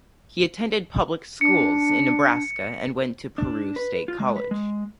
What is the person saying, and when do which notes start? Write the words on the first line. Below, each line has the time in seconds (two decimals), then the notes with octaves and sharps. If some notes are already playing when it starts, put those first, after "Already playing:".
He attended public schools in Nebraska and went to Peru State College.
1.41 D4 C#7
3.38 D4
3.76 B4
4.08 F4
4.20 G#3
4.36 B4
4.51 G#3